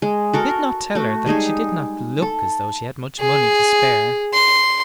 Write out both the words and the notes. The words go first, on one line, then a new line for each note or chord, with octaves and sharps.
But he did not tell her that she did not look as though she had much money to spare.
G#3
F#4 A4 A#4
A3 F#4
G3 G#3 D#4 G#4
A4
G#4
C6